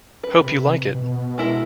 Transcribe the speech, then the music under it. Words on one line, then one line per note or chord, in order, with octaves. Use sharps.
Hope you like it.
B4
C3
B2
G#3 E4 A#4